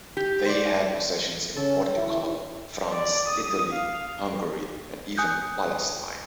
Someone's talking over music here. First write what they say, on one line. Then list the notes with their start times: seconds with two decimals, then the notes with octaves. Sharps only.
They had possessions in Portugal, France, Italy, Hungary, and even Palestine.
0.17 G4
0.46 C5 D5
1.56 C#3 C#4 A4
1.96 D#3 E4
2.91 D5
3.28 D#6
3.72 F5
5.18 G#5 D#6 F#6 G6